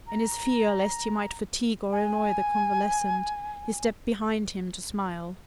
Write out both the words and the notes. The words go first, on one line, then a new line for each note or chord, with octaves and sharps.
In his fear lest he might fatigue or annoy the convalescent, he stepped behind him to smile.
A#5
G#5